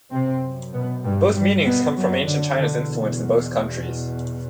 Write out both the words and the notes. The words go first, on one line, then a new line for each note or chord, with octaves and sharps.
Both meanings come from ancient China's influence in both countries.
F#2 C3 C4
B2 B3
G2 G3
G2 G3
B2 B3
F#2 F#3
D3
E2 B2 D3